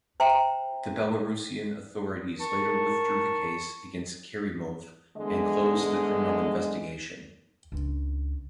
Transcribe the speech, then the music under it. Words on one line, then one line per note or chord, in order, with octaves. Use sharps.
The Belarusian authorities later withdrew the case against Kerimov and closed the criminal investigation.
C5 E5 G5 A#5
A#4 A5 C#6
E2 D3 G#3 D#5
C#2 D4